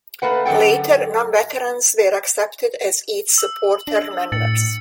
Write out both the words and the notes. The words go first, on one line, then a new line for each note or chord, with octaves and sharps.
Later non-veterans were accepted as its supporter-members.
A3 A#3 B4 F#5
F#2 D3 A4 F#5 G5
E6
D4
A2 A6 C#7 F#7